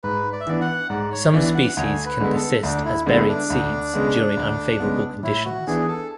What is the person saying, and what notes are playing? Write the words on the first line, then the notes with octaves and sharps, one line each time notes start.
Some species can persist as buried seeds during unfavorable conditions.
G#2 B4
D5
E5
E3 B3 D4 D5
F#5
G#2 D5
C#5
E3 B3 D4 D5
F#5
D2 G#5
B4
D3 G#3 B3
A4
D2 D4
E4
D3 G#3 B3 E4
D4
D2
C#3 G#3 B3
D2
C#3 G#3 B3
A2 E4
F#4
E3 B3 D4 G#4
A4